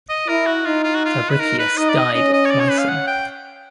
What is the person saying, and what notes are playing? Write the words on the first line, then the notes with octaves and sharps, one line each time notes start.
Fabricius died at Meissen.
D#5
E4 A#4
F#4
D#4 F4
F4
F#4
F4
B4
D#4 A#4
B4
D#4 D#5
D5
D#5
C#4 D#5
D#5
C#5
D5
C#5
B4
F5
F#5
G5